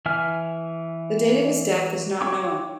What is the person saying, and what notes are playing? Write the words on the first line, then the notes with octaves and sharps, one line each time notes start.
The date of his death is not known.
E3 E5 G#5 F6
C#5 G5 C#6 D6